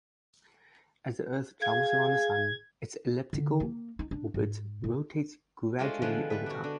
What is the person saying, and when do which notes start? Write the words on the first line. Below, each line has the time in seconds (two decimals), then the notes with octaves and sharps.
As the Earth travels around the Sun, its elliptical orbit rotates gradually over time.
1.62 G#4 F5 G#6
3.33 D3
3.60 A#3
3.99 D#4
4.11 D4
4.34 G#2
4.84 G#2
5.79 G#3 A3 D4 F4 C5 D#5
6.02 D3 E3 F3 G#3 B3 D4
6.30 G3 B4
6.46 D4 F#4
6.64 D3 D4